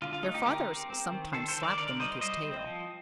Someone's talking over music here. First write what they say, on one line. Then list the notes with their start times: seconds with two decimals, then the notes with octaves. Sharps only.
Their father sometimes slapped them with his tail.
0.02 D3 F4
0.13 F4
0.23 A3 D#4
0.34 D#4 G4
0.46 D3 G4 A#4
0.68 C4
0.90 C4
1.12 D#3
1.33 D#3 A4 C5
1.48 A4 C5
1.56 D#3
1.63 A#4 D5
1.78 D3 A#4 D5
1.99 G3 C5 D#5
2.21 G3 C5 D#5
2.44 C4
2.65 F3